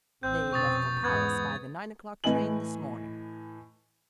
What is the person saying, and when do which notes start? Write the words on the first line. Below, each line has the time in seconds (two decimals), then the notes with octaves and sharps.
"They left for Paris by the nine o'clock train this morning."
0.23 A1 C4 G6
0.52 F1 B2 C#4 C#6 D#6 A6
1.04 E2 G#2 B3 G#6 A6
2.24 A2 E3 B4 D#5 G#5 F#7